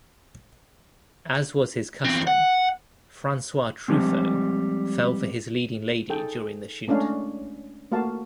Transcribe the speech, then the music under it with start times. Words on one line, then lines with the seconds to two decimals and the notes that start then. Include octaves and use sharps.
As was his custom, Francois Truffaut fell for his leading lady during the shoot.
2.05 E2 C4
2.27 F#5
3.88 F3 G3 G#3 C4
6.09 D#4 G#4 A4 G5
6.88 G#3 A3 C#4 D4 F5
7.92 A3 A#3 F#4 F5 A5